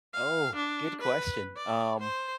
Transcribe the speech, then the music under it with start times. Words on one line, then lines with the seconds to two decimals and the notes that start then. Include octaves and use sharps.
Oh, good question, um,
0.13 F5
0.55 D4
1.01 B4
1.57 D5
1.99 C5